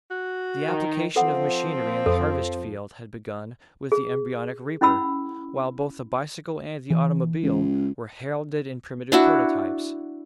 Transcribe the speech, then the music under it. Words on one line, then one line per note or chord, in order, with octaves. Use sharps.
The application of machinery in the harvest-field had begun with the embryonic reaper, while both the bicycle and the automobile were heralded in primitive prototypes.
F#4
D#3
F3 C4 A4 F#5
F2 A4
G#4
C#4 E4 F#5 B5 E6
E3
C#2
D4 E4 F#4